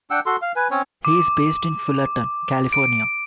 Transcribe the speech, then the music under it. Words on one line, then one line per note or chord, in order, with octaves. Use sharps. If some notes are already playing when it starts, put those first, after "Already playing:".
He is based in Fullerton, California.
D4 F#5 G5 E6
F#4 A4 C6
F5
B4 G#5
C4 C#4 C#5
D6
D7